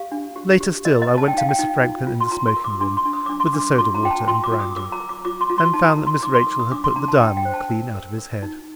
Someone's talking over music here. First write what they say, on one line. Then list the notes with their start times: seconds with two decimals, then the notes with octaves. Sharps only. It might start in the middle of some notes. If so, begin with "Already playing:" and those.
Later still, I went to Mr. Franklin in the smoking-room, with the soda-water and brandy, and found that Miss Rachel had put the Diamond clean out of his head.
Already playing: G4 F5
0.12 D4
0.36 G4
0.60 G4
0.85 A#4 D#5
1.02 D#5
1.09 A#4
1.18 A5
1.28 G5
1.34 D#4 F5
1.49 G5
1.59 D#4
1.82 F4
2.07 F4
2.20 C6
2.32 F4 A#5
2.47 C6
2.56 A#4
2.64 D6
2.81 D4 C6
2.97 C6
3.05 D4
3.13 D#6
3.26 D4 D6
3.40 C6
3.53 D4 D6
3.75 D6
3.78 F4 C6
3.94 A#5
4.03 F4 G5
4.11 A5
4.28 F4 C6
4.44 D6
4.51 F4
4.60 D#6
4.76 A#4 D6
4.92 A#5
5.00 A#4
5.09 D6
5.25 F4 D6
5.41 C6
5.50 F4
5.58 C6
5.74 D#4 A5
5.90 A#5
5.98 A#4
6.07 C6
6.23 D#4 D6
6.34 C6
6.47 A#4
6.60 D#6
6.71 D4 D6
6.84 C6
6.96 D4 A#5
7.08 A5
7.20 D4 G5
7.37 G5
7.45 C5
7.54 A5
7.69 A#4
7.94 A#4
8.18 A#4
8.43 D#4